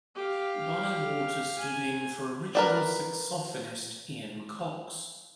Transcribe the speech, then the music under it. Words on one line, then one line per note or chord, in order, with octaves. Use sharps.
Bywater stood in for original saxophonist Ian Cox.
G4 F5
G#5
A#4 B4 D5